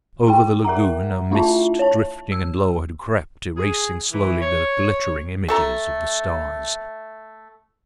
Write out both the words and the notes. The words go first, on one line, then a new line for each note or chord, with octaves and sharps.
Over the lagoon a mist drifting and low had crept, erasing slowly the glittering images of the stars.
E4 G#4 G5
A#4 E5 F#5 A#5
A3 D4 E4 F4 E5 A5
C#5 A5
E6
G#4
E3
C#5
A3 A4 A#5